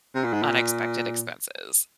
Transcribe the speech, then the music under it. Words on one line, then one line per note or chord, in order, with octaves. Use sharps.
unexpected expenses.
C3
A#2
G#2
A#2